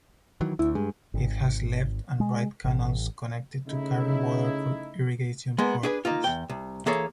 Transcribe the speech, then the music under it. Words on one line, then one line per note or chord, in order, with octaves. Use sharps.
It has left and right canals connected to carry water for irrigation purposes.
D#3 E3 F#3
D2 E4
G2 G#3
G#1
G#3
A1
C#3 A3 D#4 E4
G#3 A#3 B3
D4 G#4 B4
A#3 D#4 F4
E2 G5
C2
E3 A#3 G#4 A4 C#5